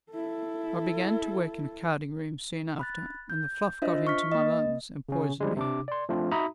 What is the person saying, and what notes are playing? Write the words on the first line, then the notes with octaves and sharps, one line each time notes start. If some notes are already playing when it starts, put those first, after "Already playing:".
I began to work in a carding-room soon after, and the fluff got into my lungs and poisoned me.'
E4 A4
B5 F#6 A6
G6
D4 F4 C5 D#5 E5
C#6 F6 B6
A#3 D#5
C#3 C#4
F3 G3 G#3
C3 D4 D6
D5 C6
F3 A3 C4 D4 F4
D#4 F#4 E5 A#5 B5 D#6